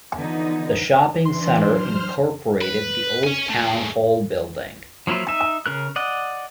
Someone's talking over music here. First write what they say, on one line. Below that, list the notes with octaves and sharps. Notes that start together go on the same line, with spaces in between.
The shopping centre incorporated the old town hall building.
D3 E3 F3 B3 D#4
E3 D4 C6
F#3 C5 F6
B4
C#4 G#5
A3 G#4
F3 F#3 A#3 E4 F4
D#4 E5
C#3 A#4 F#6
D5 D#5 F#5